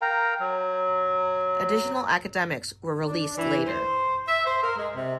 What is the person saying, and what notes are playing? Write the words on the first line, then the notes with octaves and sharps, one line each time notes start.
Additional academics were released later.
A#4 F5 G5 A#5
F#3
D4
E3
C5
E5
C5
A#4
G#3
C3